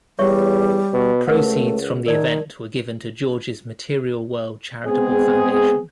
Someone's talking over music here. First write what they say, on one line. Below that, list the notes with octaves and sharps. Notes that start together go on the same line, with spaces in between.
Proceeds from the event were given to George's Material World Charitable Foundation.
E2 G3 C#5 E5 C#6
B2
C#2 A3 A#4 B4 F#5
D#3 A#4 D5 A5
G#3 B3 C4 G#4